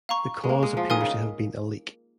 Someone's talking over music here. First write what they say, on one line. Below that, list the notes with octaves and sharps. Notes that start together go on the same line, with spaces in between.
The cause appears to have been a leak.
F5 A#5 C#6
G#3
A#3
G#3
F3
D#3 A#4 F5 G#5 D#6
C#3